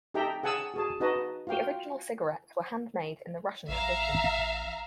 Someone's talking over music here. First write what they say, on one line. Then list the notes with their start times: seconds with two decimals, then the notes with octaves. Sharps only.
The original cigarettes were handmade in the Russian tradition.
0.14 D#4 G4 A4 E5 G5 A#5
0.43 G#4 F#5 G#5 A5 E6
0.74 F#4 G#4 A5
1.00 D#4 F#4 B4 D#5 A5
1.47 F4 F#4 F5 G5
3.69 A1 E5 F5 A#5